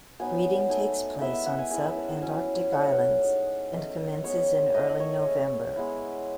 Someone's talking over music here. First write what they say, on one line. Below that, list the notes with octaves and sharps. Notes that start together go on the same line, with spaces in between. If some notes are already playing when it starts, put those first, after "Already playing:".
Breeding takes place on subantarctic islands and commences in early November.
F#3 B3 D#4 G#5
A3 D#4 G#5
G#3 B3 E4 E5
E5
F#5
G#5
G#3 C#4 E4 G#5
A5
F#3 C#4 E4 G#5
F#3 A3 D#4 F#5
G#3 D#4
A3 C#4 E4 D#5
G#3 B3 D#4 C#5
A3 E4 D#5
C#5
G#3 C#4 E4
G#3 B3 E4